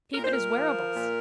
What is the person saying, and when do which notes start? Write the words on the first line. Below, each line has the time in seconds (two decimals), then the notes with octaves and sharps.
Peep at his wearables.
0.14 A#2 A#4
0.23 C5
0.32 A#4
0.56 F3
0.95 A#2